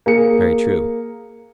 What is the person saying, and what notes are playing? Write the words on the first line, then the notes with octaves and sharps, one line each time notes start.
Very true.
A#3 G#4 C#7